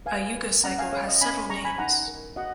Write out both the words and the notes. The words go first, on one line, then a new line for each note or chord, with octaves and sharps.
A Yuga Cycle has several names.
B4 F5 G#5
B4
C#4 F#5 A#5
F5 G#5
G#4 C#5 F5
D#5
C#4 G#5 B5
G#4 A#5 C#6
G#5 B5
D#4 F#5 A#5
A#4
F#4 D#5 F#5